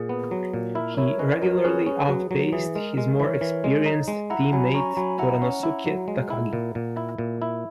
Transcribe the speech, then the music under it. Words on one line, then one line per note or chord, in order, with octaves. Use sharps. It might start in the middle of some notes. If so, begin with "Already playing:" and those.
He regularly out-paced his more experienced teammate Toranosuke Takagi.
Already playing: A#2 G#4
B3
F#3
A#2
E4 A#4
E4 A#4 C#5
C#4 B4 D#5
F#3 A#4 C#5
C#4 G#4 B4
C#4
F#3
F#3
E3 G#4
G#3 A#4
G#3
E3 A#4 C#5
E3
G#3
D#4
G#3
E4 F#5 A#5
F#3 G#5 B5
C#4 A#5 C#6
F#3 G#5 B5
E4 F#5 A#5
C#4
E4
F#3
G#3
E4
A#2
A#2
E4
A#2
E4